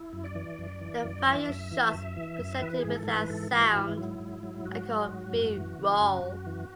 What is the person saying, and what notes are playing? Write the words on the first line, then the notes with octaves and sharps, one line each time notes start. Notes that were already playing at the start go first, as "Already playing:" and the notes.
The various shots presented without sound are called "B-roll".
Already playing: E4
F#2
D5
E3
F#2
E3
F#2
E3 E5
F#2
E3
F#2
E3
F#2
E3 B4
G#2 G#4
A4
E3
B4
G#2 A4
E3
F#4
G#2
E4
F#3 E4
G#2
F#3
G#2 F#4
F#3
G#2
F#2
E3
C#3
F#2
F#2
E3